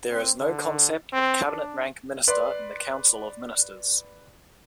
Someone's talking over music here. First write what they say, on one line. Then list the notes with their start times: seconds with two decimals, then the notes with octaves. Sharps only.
There is no concept of cabinet rank minister in the council of ministers.
0.10 C4
0.39 D3
1.13 C4
1.45 D4
2.28 B4 D5 C6